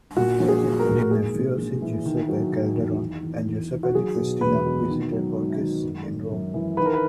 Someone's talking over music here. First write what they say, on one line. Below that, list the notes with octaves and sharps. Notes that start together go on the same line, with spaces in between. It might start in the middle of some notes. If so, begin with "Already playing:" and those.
The mafiosi Giuseppe Calderone and Giuseppe Di Cristina visited Borghese in Rome.
A#2 F#4
A#1
G#4
A#1
A#4
A#2
G#2 G#4
A#1
A#1
E3
D#3
F#3
D#3
E2
D#3
E2
E2
D#3
F#4
F#3 G#4
B2
E1 B4
B2
D#3
F#3
G#2
G#1
F#2
G#1
F#2
E3
D#3 B4
A#4
B4